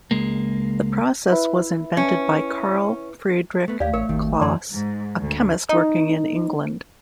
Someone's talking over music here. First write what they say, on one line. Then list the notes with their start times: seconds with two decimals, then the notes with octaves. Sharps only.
The process was invented by Carl Friedrich Claus, a chemist working in England.
0.11 C#2 G#3 A#3
1.32 E4 B4 E5
1.97 C#4
3.68 A3 B3
3.80 D#2 A3 G4 D5 F5
3.94 A1 A#4 C#5
4.09 G#1 D#2 D#3
4.41 F#2 E3 D5 A5 C6
4.71 G#2
5.21 D2
5.69 D#4